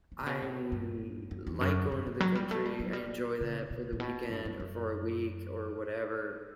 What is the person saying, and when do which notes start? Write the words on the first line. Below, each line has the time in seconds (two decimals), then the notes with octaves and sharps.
I like going to the country. I enjoy that for the weekend or for a week or whatever.
0.12 E3
0.21 A2
0.27 B2
0.42 A2
0.72 G2
1.31 F#2
1.47 E2
1.61 F#2
1.92 G2
2.07 G2
2.20 F#3
2.35 G3
2.51 A3
2.65 G3
2.80 F#3
2.93 G3
3.41 C#3
3.70 B2
3.93 A2
4.00 B2
4.30 G2
4.45 G2
4.60 F#2